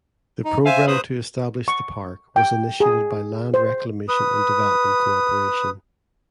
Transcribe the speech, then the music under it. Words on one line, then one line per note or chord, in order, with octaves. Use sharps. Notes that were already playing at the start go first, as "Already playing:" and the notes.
The program to establish the park was initiated by Land Reclamation and Development Cooperation.
D#4
C5 E5 F5 G#5
G#4 B4 C5 B5 D#6
C#6
G5
G#4
C5
B4 D#6